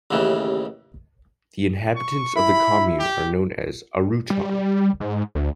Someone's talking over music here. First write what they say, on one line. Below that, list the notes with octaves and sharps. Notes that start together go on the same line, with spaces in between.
The inhabitants of the commune are known as "Arruetar".
A1 D#2 C#3 E3
C#6
E4 B5
G4
G3
G#2
D2